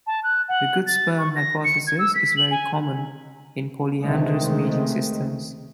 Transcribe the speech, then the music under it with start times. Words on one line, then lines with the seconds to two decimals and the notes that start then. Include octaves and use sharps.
The "good sperm hypothesis" is very common in polyandrous mating systems.
0.07 A5
0.23 F#6
0.48 F#5
0.87 A6
1.18 C#6
1.35 A#6
1.64 C#7
1.87 G#6
1.99 E6
2.15 B6
2.37 F#7
2.51 G#5
4.02 C#2 C3 D#3 G#3 A3 C4